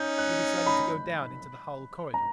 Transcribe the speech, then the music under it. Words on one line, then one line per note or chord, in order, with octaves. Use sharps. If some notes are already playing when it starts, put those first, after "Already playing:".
We decided to go down into the hull corridors.
Already playing: C#4 D#4 G6
F#6
B5
A#5